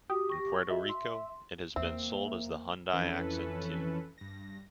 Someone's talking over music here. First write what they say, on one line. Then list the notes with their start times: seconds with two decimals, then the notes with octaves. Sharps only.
In Puerto Rico, it has been sold as the Hyundai Accent too.
0.10 F#4 G4 D#6
0.30 C#6 A#6
0.70 F#4 G#4 D#5 E5
0.89 C6
1.76 E2 A#3 C4 E5
2.93 F2 E3 C#4 A4 B4
4.18 G2 A#6